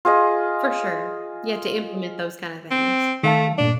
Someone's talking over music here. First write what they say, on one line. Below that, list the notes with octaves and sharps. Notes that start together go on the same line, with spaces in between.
For sure. Yeah, to implement those kinda things. Mhm.
F4 G#4 D#5
C4
D#3 A3 F5 A5
G2 A#2 D4 D5